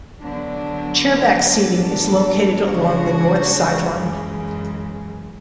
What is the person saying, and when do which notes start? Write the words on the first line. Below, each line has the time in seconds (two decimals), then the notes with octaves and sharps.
Chairback seating is located along the north sideline.
0.21 D3 F#3 B3 D4
1.43 A2 F#3 B3 D4 A4
2.66 C#3 G#3 D4 F#4 C#5
3.89 F#2 C#3 E3 G#3